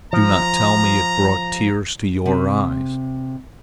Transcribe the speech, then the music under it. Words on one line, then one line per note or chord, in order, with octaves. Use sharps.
Do not tell me it brought tears to your eyes.
F3 A#5
C3